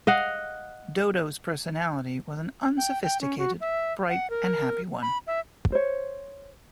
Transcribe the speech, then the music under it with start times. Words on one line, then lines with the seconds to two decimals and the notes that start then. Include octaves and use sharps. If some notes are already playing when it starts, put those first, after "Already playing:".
Dodo's personality was an unsophisticated, bright and happy one.
0.07 D#5 F5 F#5
2.78 G5
3.03 G5
3.21 C#4
3.38 F#4
3.61 E5
4.09 F#5
4.30 A#4
5.02 B5
5.27 E5
5.72 C5 C#5